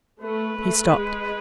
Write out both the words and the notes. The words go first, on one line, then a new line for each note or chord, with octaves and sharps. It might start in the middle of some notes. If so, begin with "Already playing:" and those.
He stopped.
A3 B4
A3
G#3